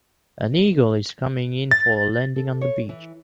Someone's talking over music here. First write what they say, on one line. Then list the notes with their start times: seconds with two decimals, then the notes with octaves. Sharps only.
An eagle is coming in for a landing on the beach.
1.71 A6
2.36 A4
2.61 C#5
2.89 E3